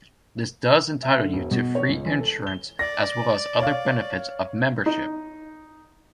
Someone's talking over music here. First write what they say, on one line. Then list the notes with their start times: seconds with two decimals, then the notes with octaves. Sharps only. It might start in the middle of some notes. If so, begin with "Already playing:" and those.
This does entitle you to free insurance as well as other benefits of membership.
1.03 E5
1.20 D3
1.33 E1
1.51 B2
1.75 C#5
1.89 C#2
2.05 E3
2.20 A4
2.47 G7
2.79 D5 A#6
3.59 C#5 F5
4.86 D#4